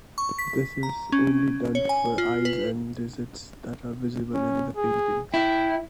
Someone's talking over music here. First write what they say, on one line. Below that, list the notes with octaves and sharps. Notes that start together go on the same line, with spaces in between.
This is only done for eyes and digits that are visible in the painting.
C#6
B6
A#5
C#4
C#5
G#5
F4
B4
C#4
G#4
E4 G5